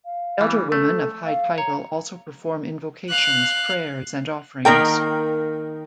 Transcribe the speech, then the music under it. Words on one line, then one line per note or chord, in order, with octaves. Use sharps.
Elder women of high title also perform invocations, prayers, and offerings.
F5
E3 G3
A3 A4
F5
C#5 A#5
F5 F#6
D#3 A#3 A#4 G5